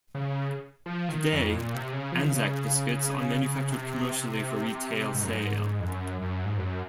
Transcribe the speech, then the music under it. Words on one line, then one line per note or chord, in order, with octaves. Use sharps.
Today, Anzac biscuits are manufactured commercially for retail sale.
C#3
F3
D#3
F2
A#2
C3
C#3
F3
D#3
C#3
C3
G#2
F#2
G#2
F2
F#2
F#2
G#2
F#2